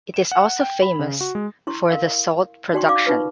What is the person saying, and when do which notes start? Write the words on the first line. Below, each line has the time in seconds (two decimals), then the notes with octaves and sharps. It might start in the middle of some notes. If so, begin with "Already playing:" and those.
It is also famous for the salt production.
0.14 E7
0.32 F#5
0.61 G5
0.82 B5
0.99 C#3
1.21 F#4
1.35 G#3
1.67 E4 C6 C#6
1.91 A#4 F5
2.73 D#4 F#4 D5 G5 C6 C#6
2.88 D5 F5 D6
3.06 D#4 F4 A#4 B4 C#6